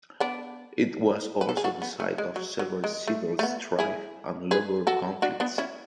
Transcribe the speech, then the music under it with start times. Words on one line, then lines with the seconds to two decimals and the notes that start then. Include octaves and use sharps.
It was also the site of severe civil strife and labour conflicts.
0.20 B3 D4
1.41 B4
1.49 A4
1.57 G#4
1.64 D4 F#4
1.82 B3
2.00 A3
2.18 G#3
2.36 F#3
2.59 F#3
2.84 G#3
3.07 A3
3.39 A3
3.43 B3
3.79 E4 G#4
4.51 G#4 B4
4.87 F#4 A4
5.22 D4 F#4
5.40 B3 D4
5.58 C#4 E4